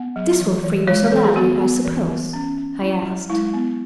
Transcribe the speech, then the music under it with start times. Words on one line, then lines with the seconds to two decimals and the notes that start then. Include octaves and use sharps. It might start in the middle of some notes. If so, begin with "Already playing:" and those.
"This will free Mr. Ladley, I suppose?" I asked.
Already playing: B3 F#5
0.16 F#3
0.40 E3
0.64 E3
0.87 G#3 C#5
1.12 E3 A4
1.24 G#4
1.36 B3 F#4
1.60 B3
1.85 E3
2.09 B3
2.33 C#4
2.57 C#4
2.81 C#4 E4
3.05 F#3
3.30 G#3 E4
3.54 B3